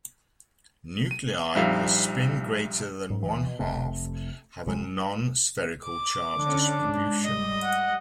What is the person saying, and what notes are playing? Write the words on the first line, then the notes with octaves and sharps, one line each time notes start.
Nuclei with a spin greater than one-half have a non spherical charge distribution.
D#7
A#1 F3 G3 D#4 E5 F5
G#2
D2 E3
B2
F1 C3 A3 C4
D1 C3 F#3 G#3
D6
D3 C#4 D4
G#2
G3 D#5
F#5